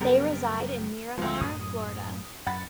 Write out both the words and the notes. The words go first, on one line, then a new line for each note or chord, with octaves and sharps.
They reside in Miramar, Florida.
F#2 C#3 G3 B3 G4 A#4
D2 F3 G#3
F#2 A2 F#3 D#6
F#2 F#5 B5 A6